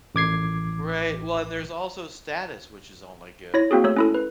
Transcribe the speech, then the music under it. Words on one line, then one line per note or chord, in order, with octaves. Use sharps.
Right. Well and there's also status, which is only good,
A1 D6 G#6 C7
E4 C#5 A#6
A#3 C4 F#4 G#4
A3 C#5 E6
C#4 E4 A4
B4